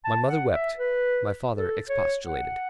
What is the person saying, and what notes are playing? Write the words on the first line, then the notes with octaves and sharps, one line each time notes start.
My mother wept, my father expostulated.
A5
F#5
E5
B4
A4
C#5
F#5